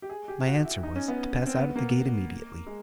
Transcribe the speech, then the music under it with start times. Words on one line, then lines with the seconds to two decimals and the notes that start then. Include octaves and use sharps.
My answer was, to pass out at the gate immediately.
0.02 G4
0.10 G#4
0.28 G4
0.47 F#4
0.65 E4
0.83 D#4
0.96 C#4
1.08 B3
1.47 C4
1.57 B3
1.76 A#3
2.67 G#3